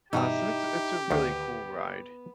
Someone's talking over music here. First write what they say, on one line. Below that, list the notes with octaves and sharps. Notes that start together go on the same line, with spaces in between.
Uh, so, it's a it's a really cool ride.
G2 B2 E3 D#4 E4 G4
D2 D#3 B3